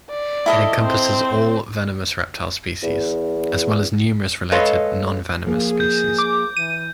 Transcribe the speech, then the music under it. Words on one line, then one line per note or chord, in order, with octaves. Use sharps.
It encompasses all venomous reptile species, as well as numerous related non-venomous species.
D5
E4 A4 D#5
C4 C5
E2
G#3 A4 B4 C#5 D#5 F5
F3 A#3 G#4
G6
D6
E3 D#7